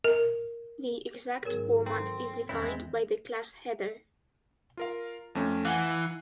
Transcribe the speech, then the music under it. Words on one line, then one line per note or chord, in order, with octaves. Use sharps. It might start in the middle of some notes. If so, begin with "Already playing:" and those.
The exact format is defined by the "class" header.
A#4
G#2 D#3 F#3 B3 G#4 A#4 C#5
C4 A4 G5 A#5
E2 D#3 G#3 C4 C#4 E4 C5
F4 A#4 F5
F2 A3 C#4
E3 F5 F#5 G#5